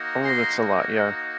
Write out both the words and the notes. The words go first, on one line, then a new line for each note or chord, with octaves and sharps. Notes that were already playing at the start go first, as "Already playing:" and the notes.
Ooh, that's a lot, yeah.
Already playing: A#3 D#4 F#4
A#5 C6